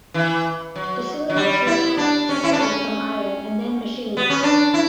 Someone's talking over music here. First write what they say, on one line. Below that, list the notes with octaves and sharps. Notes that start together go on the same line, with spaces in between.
The cylinders were cast separately from iron and then machined.
E3
F#3
F#3
G3
E4
D4
C#4
E4
D4
C#4
B3
C#4
D4
E4